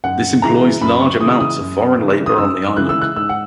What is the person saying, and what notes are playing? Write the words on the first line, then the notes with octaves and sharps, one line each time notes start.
This employs large amounts of foreign labor on the island.
F#2 F#5
C#3 E3 G#3 A#5
F#2 B5
C#6
C#3 E3 G#3 D#6
D#6
F#2
C#3 E3 G#3
D#6
F#2 E6
C#3 E3 G#3 F#6
E6
F#6
G#2 E6
F#5